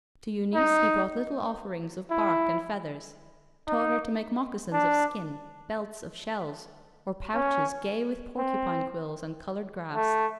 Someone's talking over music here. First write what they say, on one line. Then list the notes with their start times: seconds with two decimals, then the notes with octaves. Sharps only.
To Eunice he brought little offerings of bark and feathers; taught her to make moccasins of skin, belts of shells, or pouches gay with porcupine quills and colored grass.
0.55 D#4
2.11 E4
3.67 D#4
4.73 D4
7.35 C#4
8.38 C4
9.95 A3